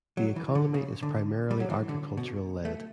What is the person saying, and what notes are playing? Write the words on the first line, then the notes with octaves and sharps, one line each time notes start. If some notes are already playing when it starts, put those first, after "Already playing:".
The economy is primarily agricultural lead.
F#3
E3
D3
C#3
D3
G3
F#3
E3
D3
B2
A3